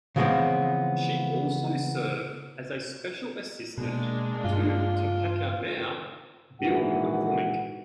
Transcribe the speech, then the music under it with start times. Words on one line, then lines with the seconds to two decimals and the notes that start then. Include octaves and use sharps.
She also served as a Special Assistant to Topeka Mayor Bill McCormick.
0.16 C#3 E3 F3 G#3 B3 C4
3.78 B2 G#3 A#3 D4
4.44 G2 F4
6.61 A#1 G#2 D#3 E3 F#4 F#5